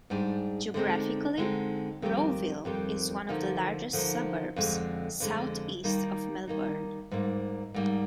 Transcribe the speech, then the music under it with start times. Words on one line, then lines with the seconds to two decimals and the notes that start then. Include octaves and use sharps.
Geographically, Rowville is one of the largest suburbs south-east of Melbourne.
0.10 G#2 G3 D4 G#4
0.74 D3 G#3 C4 D#4
1.38 D3 G#3 C4 D#4
2.02 F2 D#3 G3 C4 G4
2.65 F2 D#3 G3 C4 G4
3.29 D3 F3 A#3 D#4
3.93 D3 F3 A#3 D#4
4.56 F2 D3 G#3
5.20 F2 D3 G#3
5.84 D#3 G3 A#3 D#4
6.47 D#3 G3 A#3 D#4
7.11 G#2 G3 A#3
7.74 G#2 G3 A#3